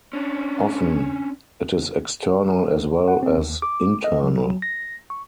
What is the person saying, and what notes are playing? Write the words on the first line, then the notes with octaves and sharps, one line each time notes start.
Often, it is external as well as internal.
C#4 D4
F#5
C4
D#2
D6
D#5
F#3
F#3
A#6
C#6